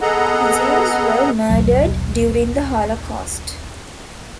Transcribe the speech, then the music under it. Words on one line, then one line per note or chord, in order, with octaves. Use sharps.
The Jews were murdered during the Holocaust.
B3 G#4 A4 D#5 F#5 A#5
D#1 B1 F#3